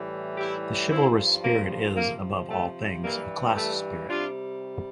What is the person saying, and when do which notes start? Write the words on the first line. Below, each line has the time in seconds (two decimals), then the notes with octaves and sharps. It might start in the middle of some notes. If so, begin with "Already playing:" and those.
The chivalrous spirit is, above all things, a class spirit.
Already playing: A2 E3 G3
0.37 E4 G4
0.90 G2 F3 C4 E4
1.44 A#3
1.97 C3 F3 A#3
2.50 A3
3.03 G2 E3 G3 A#3
3.57 A3
4.09 C3 G3 D4 F4